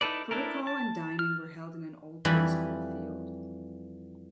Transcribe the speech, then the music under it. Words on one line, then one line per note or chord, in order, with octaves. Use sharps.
Protocol and Dining were held in an old baseball field.
D#4 E4 A4 B4 D5
D4 E4 A4 A#4
A5
F6
F2 E3 G3 B5